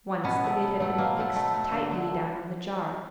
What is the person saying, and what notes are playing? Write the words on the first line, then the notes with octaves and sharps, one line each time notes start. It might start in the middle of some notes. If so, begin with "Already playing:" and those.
Once the lid had been fixed tightly down on the jar.
B2 B3 C#4
F#3 A3
B2
F#3 A3
B2 A#3
F#3 A3
B2 A3
F#3 A3
D3
F#3 A3